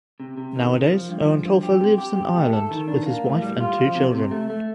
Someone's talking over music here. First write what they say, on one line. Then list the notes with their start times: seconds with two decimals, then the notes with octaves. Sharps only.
Nowadays, Eoin Colfer lives in Ireland with his wife and two children.
0.20 C3
0.38 C3
0.56 D#3
0.74 D#3
0.91 F3
1.09 G2
1.26 F3
1.45 G2
1.63 G4
1.80 C3
1.98 G4
2.16 G4
2.35 A3
2.53 A4
2.71 D#3
2.88 D4
3.06 A#3
3.25 A2
3.42 G3
3.60 F4
3.78 F3
3.95 C3
4.13 C3
4.31 A3
4.50 A3